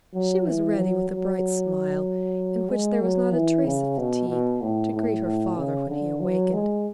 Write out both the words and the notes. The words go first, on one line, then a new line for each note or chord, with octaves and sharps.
She was ready with a bright smile, in which there was not a trace of fatigue, to greet her father when he awakened.
F#3
E3
F#3
F#3
G#3
F#3
E3
C#3
B2
B2
A2
A2
A2
C#3
D3
F#3
G#3